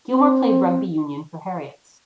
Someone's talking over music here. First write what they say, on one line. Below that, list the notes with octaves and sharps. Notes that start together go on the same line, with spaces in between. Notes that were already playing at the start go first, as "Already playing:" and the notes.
Gilmour played rugby union for Heriots.
C4